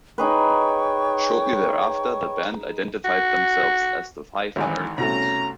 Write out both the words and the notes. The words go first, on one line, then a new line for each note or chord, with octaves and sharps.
Shortly thereafter, the band identified themselves as the Five Americans.
D#4 G#4 B4 C#5 G5 C#6
F#4
G#1 G#2 E3
C2 B2 A3 C#4 A#5